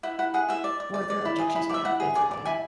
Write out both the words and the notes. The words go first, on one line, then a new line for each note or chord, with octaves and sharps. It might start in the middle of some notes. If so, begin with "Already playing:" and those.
Were there objections that had been forgotten?
E4 F#5
E4 F#5
G#4 F#5
E4 E5
D5
D5
D5
D5
E4
G#4
E4
D5 E5
E4 F#5
G#4
D5 G#5
D5
E4 G#5